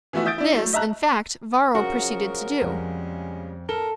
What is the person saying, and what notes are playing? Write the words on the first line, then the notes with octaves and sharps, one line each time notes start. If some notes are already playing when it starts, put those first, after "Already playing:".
This in fact Varro proceeded to do.
E3 F3 A3 B3 E4 F#4
E5 D#6 G6 A6 D7
D4 E4
F#3 A3
D#5 E5 A5 A#5 F#6
F#2 C#3 F3 F#4 A#4 C#6
F2 C#3 G3 G#3
A4 A#4 G7